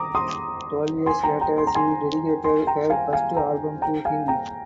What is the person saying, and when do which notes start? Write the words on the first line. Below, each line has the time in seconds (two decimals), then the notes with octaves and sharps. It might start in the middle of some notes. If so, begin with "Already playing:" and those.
Twelve years later she dedicated her first album to him.
Already playing: A#5 D6 D#6
0.15 C6 D#6
1.06 G#5 C6
1.23 G5 A#5
1.41 G5 A#5
1.58 C6
1.67 A#5
1.75 G#5 C6
2.44 G#5 C6
2.67 G5 A#5
2.90 F5 G#5
3.13 F5 G#5
3.36 G5 A#5
3.82 G5 A#5
4.05 F5 G#5
4.28 G5 A#5